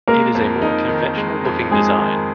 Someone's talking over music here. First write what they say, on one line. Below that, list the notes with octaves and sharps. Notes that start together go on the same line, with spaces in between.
It is a more conventional looking design.
G#3 A#3 A#4
F2
D#4
D#3
G#3
F2
G#3 D#4 G#4
D#3